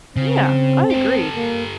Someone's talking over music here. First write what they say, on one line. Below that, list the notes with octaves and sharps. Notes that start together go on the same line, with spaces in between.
Yeah, I agree.
C#3 C4
G4 A4
A#3